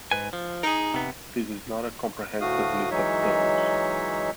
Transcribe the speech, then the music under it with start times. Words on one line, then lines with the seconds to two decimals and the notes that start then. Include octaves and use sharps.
This is not a comprehensive list of those.
0.11 G#2 B4 G#5
0.33 F3
0.63 D#4 G#4 A#4
0.94 C3 B3
2.41 D2 A2 A3 F#4 F5 D#6
2.91 E3 F#3 G#3 D#4 C#5 E5